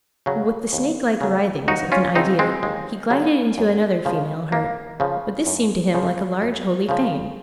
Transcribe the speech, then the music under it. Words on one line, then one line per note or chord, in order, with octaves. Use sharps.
With the snake-like writhings of an idea he glided into another female heart; but this seemed to him like a large holy fane.
C#3 F#3
D#2
C#3 F#3
D#2 D#4 F#4
C#4 F4
C#3 F#3 C4 D#4
G#3 C4
D#2 G#3
C#3 F#3
F#2
C#3 F3
F#2 A#3
C#3 F3
F#2
C#3 F3
F#2
C#3 F3